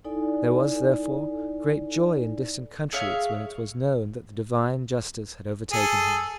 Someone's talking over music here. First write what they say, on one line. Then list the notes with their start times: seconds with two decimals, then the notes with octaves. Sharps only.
There was, therefore, great joy in distant countries when it was known that the divine justice had overtaken him.
0.04 D#4 E4 A4 D5 G#5
2.93 G#4 C#5 E5 F5
5.72 G#4 A4